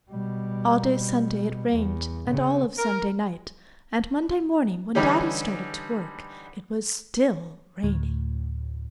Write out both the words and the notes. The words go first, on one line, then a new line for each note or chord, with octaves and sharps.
All day Sunday it rained and all of Sunday night, and Monday morning when Daddy started to work it was still raining.
B2 G3
E2
C#3 C4
A#4
D3 E3 G3 C#4 D#4 G4
D2 A2